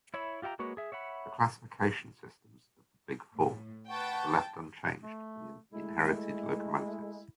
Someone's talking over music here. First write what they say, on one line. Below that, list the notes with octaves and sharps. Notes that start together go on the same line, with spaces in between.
The classification systems of the 'Big Four' were left unchanged for the inherited locomotives.
E4 C#5 E5 B5
F4 G4 E5 G5 A#5
G#3 A#3 F#4 B4 C#5
G#4 E5
C#5 E5 F#5 B5
A2
B4 F#5 G5 A5 C#6
A3
G#3 A3 E4